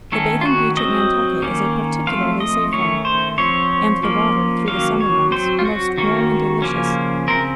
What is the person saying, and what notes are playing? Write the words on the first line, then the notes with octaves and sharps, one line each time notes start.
The bathing-beach at Nantucket is a particularly safe one, and the water through the summer months most warm and delicious.
D#3 A3 C#4 A4
F4
F#4
F#3 C4 D#5
D#3 A#3 C#4
F3 A3 C4 F5
D#5
D#3 A3 C#4 C#5
C5
F3 C4 C#5
F3 A#3 C#4
D#3 F#3 A#3 C#4 F5
C#5
F#3 C4 C5
F4
F#4
D#3 A#3 C#4 F#4
C#3 F3 A#3 C#4
C#3 F3 C4 A#4